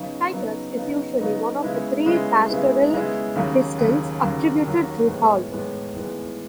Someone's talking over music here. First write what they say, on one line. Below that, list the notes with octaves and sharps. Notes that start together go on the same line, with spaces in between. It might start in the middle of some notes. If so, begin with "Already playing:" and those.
Titus is usually one of the three Pastoral epistles attributed to Paul.
Already playing: C#3 F#3 B3 D#4
C#3 F#3 B3 D#4
C#3 F#3 B3 D#4
C#3 F#3 B3 D#4
C#3 G#3 B3 E4
C#3 G#3 B3 E4
C#3 G#3 B3 E4
C#3 G#3 B3 E4
D#2 C#3 F#3
D#2 C#3 F#3
D#2 C#3 F#3
D#2 C#3 F#3
A2 E3 G#3 B3
A2 E3 G#3 B3
A2 E3 G#3 B3